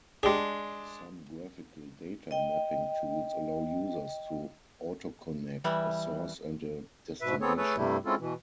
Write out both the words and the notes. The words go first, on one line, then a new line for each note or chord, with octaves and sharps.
Some graphical data mapping tools allow users to "Auto-connect" a source and a destination.
G#3 D4 G4 G#4
D#5 G5
E3 G3
G#2 B2 B4 E5
B3 C4 G#4 A4 C#5
A3 G#4 A4 B4 C#5
G2 C3 G3 A3 E4
G#3 C4 C#4 E4 F4 A4
B2 E3